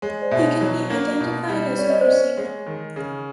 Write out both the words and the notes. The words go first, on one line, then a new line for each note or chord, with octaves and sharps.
He can be identified as Narasimha.
G#3 C#5
C5 D5
B2 E5
C#5 D#5
F#3
A#3
B2
G3
C#4 D5
D#5
C5 D5
C#4
G#3 C#5
D#3
C#3